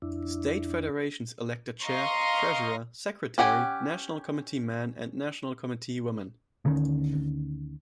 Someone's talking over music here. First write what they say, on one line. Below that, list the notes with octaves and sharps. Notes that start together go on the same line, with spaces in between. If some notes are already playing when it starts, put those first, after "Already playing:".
State Federations elect a Chair, Treasurer, Secretary, National Committee Man and National Committee Woman.
F2 D4 E4
D#5 F5 A#5 C6 C#6
C#4 G4 F#5 G#5
D2 D3 D#3 C#4